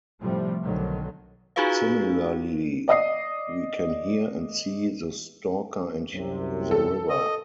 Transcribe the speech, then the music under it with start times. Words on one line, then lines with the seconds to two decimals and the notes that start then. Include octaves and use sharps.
Similarly, we can hear and see the Stalker and the river.
0.21 A2 C3 F3 G3 A3
0.62 B1 D3 D#3 F#3
1.56 D#4 F4 F#4 G#4 B4 F5
2.88 D5 D#5 D#6 C7
6.13 C2 F#2 C3
6.71 A4
7.10 D#5